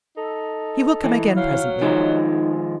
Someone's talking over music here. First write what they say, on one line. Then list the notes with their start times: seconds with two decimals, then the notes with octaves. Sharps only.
He will come again presently.
0.17 D#4 A4
1.04 E3
1.36 F#3 F5
1.81 D#3 F3 G#3 D#4